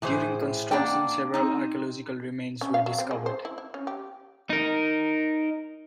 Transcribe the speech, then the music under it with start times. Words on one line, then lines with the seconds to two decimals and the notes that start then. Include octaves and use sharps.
During construction several archeological remains were discovered.
0.02 A2 E3 G#4 C5
0.71 A#3 D4 D5 F#5 G5
1.34 C4 D#4
2.61 C#4
2.74 F5
2.86 F#3
2.99 C4
3.11 G#3
3.26 C5
3.45 E4
3.58 E4
3.74 C#4
3.87 G4
4.50 D#4 A#4